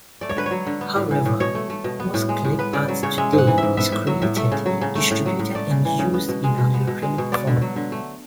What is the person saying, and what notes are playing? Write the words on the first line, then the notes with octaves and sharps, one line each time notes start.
However, most clip art today is created, distributed, and used in an electronic form.
A3 D5
C#5
D3 B4
C#5
F#3
D3
B3
A2
E3
A2
B2 C#5
A3
A3
B2
B3
A2
G#3
A2
B3 B4
C#3 D5
F#3
C#3 C#5
G#3 E5
G#2
F#5
E3
G#2 E5
B3 E5
A2 E5
F#3 E5
A2 E5
A3 E5
C#3
F#3
C#3
A3
A2
F#3
A2
A3 D5
C#3
E3
C#3
B3
B2
G#3
B2
B3
B2
G#3
B2
B3 D5
D3
F#3
D3
A3